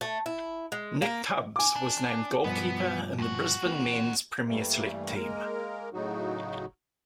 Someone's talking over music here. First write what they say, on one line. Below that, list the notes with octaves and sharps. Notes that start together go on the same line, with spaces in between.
Nick Tubbs was named Goalkeeper in the Brisbane Men's Premier Select Team.
A3
E4
G#3
A#3
G#5 D6
D4
G2 B2 F3 B3
D#2 F#4
E3 A#3 C4
G2 E3 G3 A3 A#3
G#3 A#3 A#4
A2 C#3 F#3 D#4 F#4